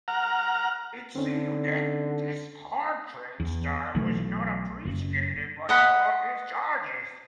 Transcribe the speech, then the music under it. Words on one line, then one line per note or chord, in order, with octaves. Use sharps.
It seemed that his hard-training style was not appreciated by all of his charges.
F#5 A#5 F6
D3 C4 C#4 D#4
E2
B1 E3 A3
F#1
D#5 F#5 B5